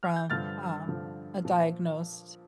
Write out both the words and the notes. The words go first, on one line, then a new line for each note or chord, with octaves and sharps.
from, um, a diagnosed
F6
G6
G2 D3 F3 F6 A6
G2 D3 F3
A#2 F3